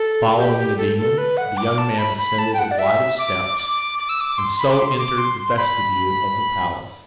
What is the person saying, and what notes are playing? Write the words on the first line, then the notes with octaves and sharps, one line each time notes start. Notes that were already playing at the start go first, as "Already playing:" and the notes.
Following the Demon, the young man ascended a flight of steps, and so entered the vestibule of the palace.
Already playing: A4
G4
G4
A4
A4
B4
F#5
D6
A5
B5
B5
A5
G5
F#5
D5
E5
D6
D6
D6
E6
D6
C6
B5
D6
C6
C6
D6
C6
C6
B5